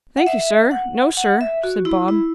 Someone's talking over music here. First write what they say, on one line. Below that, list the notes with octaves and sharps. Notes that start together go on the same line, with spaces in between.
'Thankee sir, no sir,' said Bob.
F#5
E5
F#5
F#5
E5
F#4
E4
E4